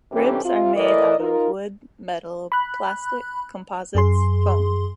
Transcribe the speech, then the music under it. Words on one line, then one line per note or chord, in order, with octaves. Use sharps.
Ribs are made out of wood, metal, plastic, composites, foam.
G2 C3 E3 C#4 G4 A4
C3 F4
A2 E3 A#4 D5 D#5
D#4 F4 A#4
B5 F#6
F#2 G#4 C6